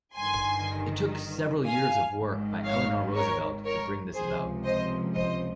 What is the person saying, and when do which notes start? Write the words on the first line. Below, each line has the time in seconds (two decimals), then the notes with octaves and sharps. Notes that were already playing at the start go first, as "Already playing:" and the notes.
It took several years of work by Eleanor Roosevelt to bring this about.
0.16 G1 G2 D#3 G#5 C6
1.65 F5 G#5
2.16 G#1 G#2 D#3
2.65 C#5 F5
3.15 A#4 C#5
3.65 A#4 C#5
4.15 C#2 C3 F3 G#4 C5
4.65 C5 D#5
5.15 C5 D#5